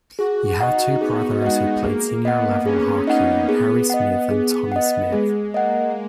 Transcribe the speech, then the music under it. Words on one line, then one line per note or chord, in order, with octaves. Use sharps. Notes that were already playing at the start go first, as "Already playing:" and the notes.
He had two brothers who played senior-level hockey Harry Smith and Tommy Smith.
F#4 G#4
D#4 D#5 F#5
B3 G#4
G#3 D#5 F#5
A#3 G#4
B3 D#5 F#5
C#4 G#4
D#4 D#5 F#5
B3 G#4
D#5 F#5
G#4
D#5 F#5
G#3 G#4
A#3 D#5 F#5